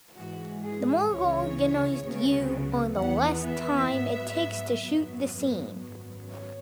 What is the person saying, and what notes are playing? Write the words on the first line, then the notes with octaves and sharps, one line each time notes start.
The more organized you are the less time it takes to shoot the scene.
G#2 E3 G#3 F#4
G#4
C#2 C#3 E3 C#5
C#2 C#3 F#3 B3
E2 E3 B3 F#5
E5
G#2 F#3 B3
G#1 F#2 F#3 B3
G#1 F#2 F#3 B3
C#5